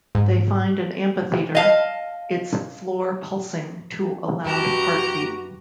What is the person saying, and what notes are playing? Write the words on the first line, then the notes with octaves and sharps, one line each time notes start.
They find an amphitheatre, its floor pulsing to a loud heartbeat.
G#2
D#5 F5 A5
F#2 F#4 G4 B4 A5 A#5